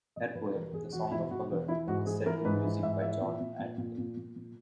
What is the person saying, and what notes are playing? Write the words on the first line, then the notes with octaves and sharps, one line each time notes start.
Her poem "The Song of Hagar" was set to music by John Antill.
B2 D#5
B2 B4
E2 A#4
B2 G#4
E2 F#4
B2 E4
B2 F#4
E2 F#4
E3 E4
G#2 F#4
E3 G#4
E3 A#4
G#2 B4
E3
G#2 E5
E3 E5
A#2
A#2
A#2
A#2
A#2
A#2
A#2